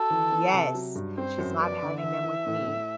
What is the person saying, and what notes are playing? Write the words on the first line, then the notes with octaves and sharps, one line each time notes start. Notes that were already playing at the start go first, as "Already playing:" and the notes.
Yes. She's not having them with me.
Already playing: F#4 A4
E3
B3
C3
F#3
G2
C4 C5
F#2
B3 D5
D3
E3 E5
E3
A2
A2